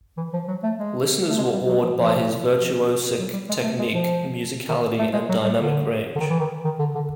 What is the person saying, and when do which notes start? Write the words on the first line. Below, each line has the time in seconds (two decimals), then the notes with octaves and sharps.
Listeners were awed by his virtuosic technique, musicality, and dynamic range.
0.17 E3
0.33 F3
0.48 F#3
0.63 A3
0.78 G#3
1.29 A3
1.38 G#3
1.53 G3
1.68 F#3
1.83 F3
1.98 F3
2.58 F3
3.19 F#3
3.33 G3
3.49 G#3
3.63 A3
3.79 G#3
3.93 F3
4.69 D#3
4.99 A3
5.14 G#3
5.29 F#3
5.44 G3
5.59 D3
6.16 D3
6.19 D#3
6.30 E3
6.39 D#3
6.65 D#3
6.79 D3
6.95 D3